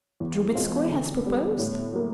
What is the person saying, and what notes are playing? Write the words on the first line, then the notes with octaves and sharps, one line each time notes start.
"Drubetskoy has proposed?"
E2
B2 G#3 C4 F4
D3
G3 B3
A2
F#3 A#3